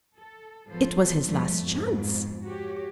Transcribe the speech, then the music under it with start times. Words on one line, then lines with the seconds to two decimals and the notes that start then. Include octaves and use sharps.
It was his last chance.
0.16 A4
0.68 G#2 F3 B3 A4 C5
1.26 E2 G#2 F3 G3 A3
1.60 F2 G#2 B2
2.46 F#4 G4 C#5